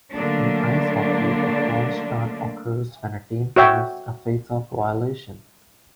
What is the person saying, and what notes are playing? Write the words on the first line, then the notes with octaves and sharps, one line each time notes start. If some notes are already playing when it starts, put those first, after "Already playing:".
In ice hockey, a false start occurs when a team commits a faceoff violation.
D3 F#3 A3 A#3 D4
F#4 C#5 E5 G5